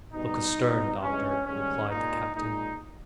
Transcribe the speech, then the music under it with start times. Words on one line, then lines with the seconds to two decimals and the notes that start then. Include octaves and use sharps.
"Look astern, doctor," replied the captain.
0.13 B2 G3 D#4
0.57 B2 G3
1.02 G2 E3 G#3 C#4
1.46 G#2 D#3 G3 C#4
1.91 A#2 G#3 D#4
2.35 A#2 G#3 D#4